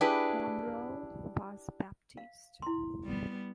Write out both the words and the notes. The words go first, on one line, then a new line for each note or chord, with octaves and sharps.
Monroe was Baptist.
D4 E4 G4 G#4 B4
F5
E4 C6
G3 B3